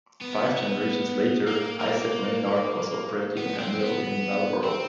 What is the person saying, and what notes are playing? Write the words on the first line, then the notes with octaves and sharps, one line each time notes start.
Five generations later, Isaac Maynard was operating a mill in Marlborough.
B3
A#3
A#3
B3
C4
B3
C4